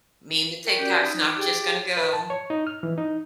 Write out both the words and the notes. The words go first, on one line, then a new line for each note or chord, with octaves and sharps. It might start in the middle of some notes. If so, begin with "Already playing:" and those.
mean the TikTok's not just gonna go.
A#4 G5 C#6
C#4 F#4 G4 D5
D#4
D5
G4 G#4 G5
B4
A5
C#5
D#4
F6
E3
D#4